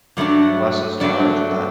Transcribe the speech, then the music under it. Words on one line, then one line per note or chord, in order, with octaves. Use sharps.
lessons to learn from that.
G2 F#3 A3 D4
G2 F#3 A3 D4 D5